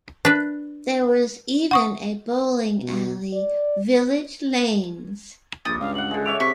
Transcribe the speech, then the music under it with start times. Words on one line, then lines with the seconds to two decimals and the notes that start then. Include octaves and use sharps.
There was even a bowling alley, Village Lanes.
0.25 D4 B4
1.71 F#5 C#6 D#6
2.81 B2
3.33 D5
5.65 A#1 G2 G5 D#6 A6
5.81 C#2 F5
5.95 F5 F#5 F#7
6.11 D3 G#3
6.26 C#5 E5 D6 F7
6.40 C3 C#6 B6